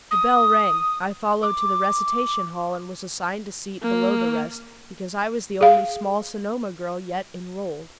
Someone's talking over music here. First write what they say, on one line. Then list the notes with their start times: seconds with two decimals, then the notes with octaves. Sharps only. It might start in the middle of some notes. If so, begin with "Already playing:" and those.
The bell rang, I followed to the recitation hall, and was assigned a seat below the rest, because I was the only small Sonoma girl yet enrolled.
0.11 D#6
1.43 D6
3.82 A#3
5.61 G#4 F5